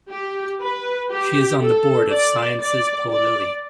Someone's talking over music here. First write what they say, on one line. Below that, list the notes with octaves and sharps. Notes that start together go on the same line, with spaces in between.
She is on the board of Sciences Po Lille.
G4
B4
G4
A4
D5
D5
D5